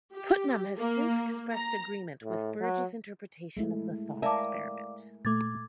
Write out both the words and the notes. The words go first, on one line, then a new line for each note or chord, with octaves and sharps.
Putnam has since expressed agreement with Burge's interpretation of the thought experiment.
G4
A#3
A#5
A2
F#3
G#3 A3 E4
A#4 D5 E5 F5 G#5 D6
A#2 A3 D6 G#6 A6